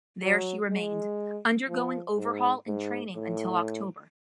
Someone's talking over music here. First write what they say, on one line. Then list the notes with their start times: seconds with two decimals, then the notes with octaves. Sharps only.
There she remained, undergoing overhaul and training until October.
0.22 F#3
0.71 G#3
1.68 F3
2.18 G#2
2.67 G#2
3.16 A2